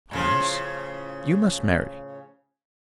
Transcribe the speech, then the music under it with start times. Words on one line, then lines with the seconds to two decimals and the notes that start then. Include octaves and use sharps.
Collins, you must marry.
0.11 A2 C#3 F3